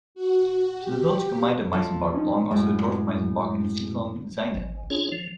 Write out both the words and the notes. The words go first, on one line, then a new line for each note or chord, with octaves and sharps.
To the village of Gemeinde Maisenbach belog also Dorf Maisenbach and Siedlung Zainen.
F#4
G4
F3 A4
C#4 D#4
F#2 A2 G#3
G#1
C#4 D4 F4 G#4 C#5
F3